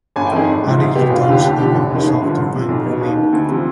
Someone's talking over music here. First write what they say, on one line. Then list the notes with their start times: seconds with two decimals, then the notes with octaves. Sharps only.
Ary returns home and resolves to find Flynn.
0.16 G1 G#5
0.27 G5
0.32 F2 D#3 G#4
0.47 G#1
0.63 G#2 F3
0.78 C2 G#4
0.95 B2 G4
1.10 F1 F4
1.22 F4
1.26 D#2 D3 G4
1.42 D#2 G4
1.58 D3 F3 G4
1.75 F1
1.90 D#2 D#3
2.05 G1 G#4
2.22 G2 D3 F3
2.37 C2
2.54 C3 F3
2.69 B1
2.86 B2
3.00 D#2 G#4
3.17 D#3
3.33 D2
3.49 C3 F3